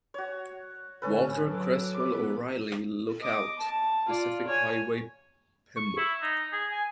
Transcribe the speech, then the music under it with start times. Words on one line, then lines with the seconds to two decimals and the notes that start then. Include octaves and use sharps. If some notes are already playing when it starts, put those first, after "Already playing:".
Walter Cresswell O'Reilly lookout, Pacific Highway, Pymble.
0.14 F#4 C#5
1.02 A2 D3 C#4 A4 B4
1.41 F#3 D6
1.94 F3 B3 B4 D6
3.22 D#5 D6
3.59 A5
4.07 F4 D5
4.48 C#5 G#5
5.76 C#6
5.97 E4
6.22 D#4
6.52 G#4
6.72 G#5